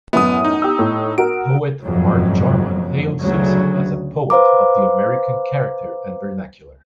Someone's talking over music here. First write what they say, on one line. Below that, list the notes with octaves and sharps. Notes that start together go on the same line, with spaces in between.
Poet Mark Jarman hailed Simpson as a poet of the American character and vernacular.
A1 F#2 B3 E4 D#6
D#4
G4 E6
A2
F#4 A#4 D7
F#1 F2 G#2 B2 F#3
D2 C#3 F#3
B4 C5 F5 A#5 D6